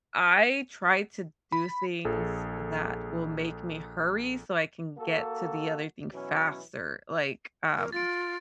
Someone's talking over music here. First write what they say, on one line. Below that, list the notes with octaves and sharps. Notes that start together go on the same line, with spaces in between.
I try to do things that will make me hurry so I can get to the other thing faster. Like, um,
B5
A#1 G#4 A4
A#3 F#4 A4
B2 E3 F#3 C#4
A#4
F4 A6 D7